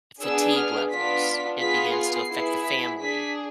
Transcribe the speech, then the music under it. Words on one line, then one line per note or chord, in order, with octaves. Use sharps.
fatigue levels, it begins to affect the family,
B3 D4 G#4 E6
F6
B3 D4 F4 B6
B3 F4 G#4 B6
C7
B3 E4 G#4
B6
D4 G#4 B6